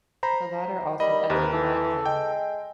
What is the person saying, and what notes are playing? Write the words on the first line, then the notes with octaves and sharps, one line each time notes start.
The latter also edited the magazine.
C5 A#5 B5
D#3 G3 D#5 B5
D#2 C3 A#4 B4
E3 A4
G#3 G5